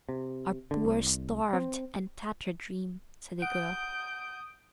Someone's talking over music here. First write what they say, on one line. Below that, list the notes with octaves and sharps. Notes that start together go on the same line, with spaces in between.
"Our poor starved and tattered dream!" said the girl.
C3
D3
C2
C4
F#5 D#6 G6 D7